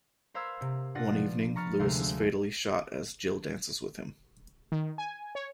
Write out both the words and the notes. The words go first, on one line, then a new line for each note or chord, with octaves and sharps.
One evening, Louis is fatally shot as Jill dances with him.
A#4 C5 F5 B5 E6 G#6
C3
B2 D4 F4 F#5 A6 A#6
F3
A#5 B5 C#6 F6 A6
D2 C3 G#3 A3 F5 E6
D#3
G#5
C#5